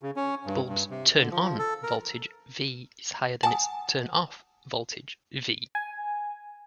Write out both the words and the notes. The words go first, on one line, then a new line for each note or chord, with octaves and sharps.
The bulb's "turn on" voltage "V" is higher than its "turn off" voltage "V".
C#3
C#4
G2
G2
C3
D3
F3
A4
A#4
F#5 G#5 A5 D#6
G#5